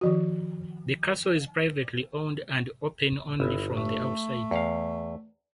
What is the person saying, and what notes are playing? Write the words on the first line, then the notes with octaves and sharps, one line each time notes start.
The castle is privately owned and open only from the outside.
D#3 F3 F#4
G1 E4
A3
E2 F5